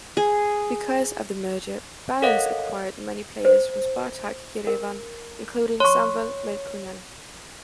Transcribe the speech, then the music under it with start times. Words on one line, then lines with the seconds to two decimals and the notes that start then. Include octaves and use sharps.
Because of the merger, Banants acquired many players from Spartak Yerevan, including Samvel Melkonyan.
0.17 G#4
2.22 A4 A#4 C#5 D#5 F5 F#5
3.45 C5
4.67 A#4
5.80 C#5 C6 C#6